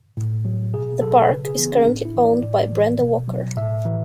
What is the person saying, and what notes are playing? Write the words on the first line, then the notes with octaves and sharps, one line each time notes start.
The park is currently owned by Brenda Walker.
A2
F#3
B2 G#4
F#3 A4
C#3 B4
G#4
E3 B3
C#4
A2 D4
E4
E3
D5
A2
E3
B2
F#3
A2 E5
E3